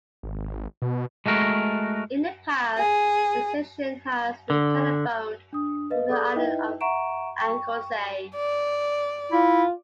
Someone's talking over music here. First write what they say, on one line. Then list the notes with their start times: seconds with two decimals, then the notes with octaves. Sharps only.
In the past, the station has been telephoned from the island of Anglesey.
0.23 G#1
0.82 B2
1.26 G#3 A3 F#4 A#4
2.77 G#4
4.50 D3
5.53 D4 D#6
5.90 B4 D#5 F5
6.09 G#4 A4 D5 D6 D#6 G6
6.36 D#4 E4 B4 D#5 E5 G5
6.81 E5 F#5 A#5 C#6 D7 E7
7.39 G5 C#6
8.36 D5
9.32 E4 F4